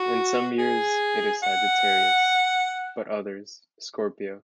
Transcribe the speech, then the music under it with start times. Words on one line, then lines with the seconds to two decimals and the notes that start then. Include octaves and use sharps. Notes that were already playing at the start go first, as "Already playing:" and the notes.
In some years it is Sagittarius, but others Scorpio.
Already playing: F#4
0.58 G#4
1.43 F#5